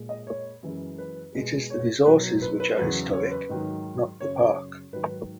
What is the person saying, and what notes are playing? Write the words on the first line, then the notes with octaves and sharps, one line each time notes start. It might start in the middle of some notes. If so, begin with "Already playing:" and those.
It is the resources which are historic, not the park.
Already playing: A#2 G#3
D#5
C#5
F#2 E3 G#3
B4
B2 G#3
C#5
B2 F#3 B4
B4
B4
E2 C#3 F#3 B4
C#5
B4
G#2 D#3 F#3
F#2 C#3 F#3 C#5
C#5
G#2 D#3 F#3 B4